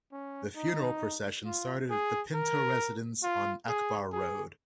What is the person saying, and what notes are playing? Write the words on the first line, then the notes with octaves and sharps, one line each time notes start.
The funeral procession started at the Pinto residence on Akbar Road.
C#4
D#4
F4
G#4
A#4
F4
G#4
G#4